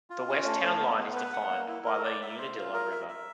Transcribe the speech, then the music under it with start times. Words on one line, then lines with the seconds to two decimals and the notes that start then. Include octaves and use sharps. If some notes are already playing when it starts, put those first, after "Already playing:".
The west town line is defined by the Unadilla River.
0.10 F4
0.28 C#4
0.45 A3
0.63 A3
0.80 B3
0.98 B3
1.15 B4
1.33 F#5
1.50 A#3
1.68 E4
1.85 A#4
2.03 D5
2.21 E5
2.38 C5
2.56 F4
2.74 A#4
2.91 E5
3.08 E5